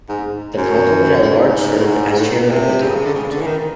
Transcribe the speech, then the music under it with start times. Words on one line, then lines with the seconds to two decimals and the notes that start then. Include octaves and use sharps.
The councilman at large served as chairman of the town council.
0.09 G#2
0.57 F#2
1.22 A2
1.37 G#2
1.76 A2
1.86 G#2
2.11 G#2
2.18 A2
2.35 A#2
2.50 C3
2.83 C#3
3.05 D3
3.15 C#3
3.31 D3
3.41 E3
3.47 D#3